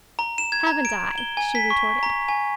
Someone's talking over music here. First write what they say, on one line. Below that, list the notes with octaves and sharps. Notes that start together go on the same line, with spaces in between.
"Haven't I!" she retorted.
A#5
E7
G#6
A#5
D7
G7
G#5
B6
C#6
A#5
G#5